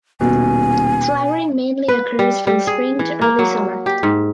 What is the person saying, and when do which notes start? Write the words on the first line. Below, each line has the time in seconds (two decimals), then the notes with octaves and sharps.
Flowering mainly occurs from Spring to early summer.
0.21 D#1 B2 G#5
1.88 B4
2.19 G3
2.47 G3
2.67 G#4
2.99 E3
3.22 A#3
3.39 F#3
3.86 G4
4.03 G#2